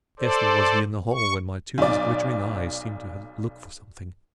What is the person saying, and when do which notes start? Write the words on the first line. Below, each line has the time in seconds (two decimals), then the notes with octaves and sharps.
Scarcely was he in the hall when my tutor's glittering eyes seemed to look for something.
0.20 A4 C5 D5
1.13 C#6
1.78 B1 D5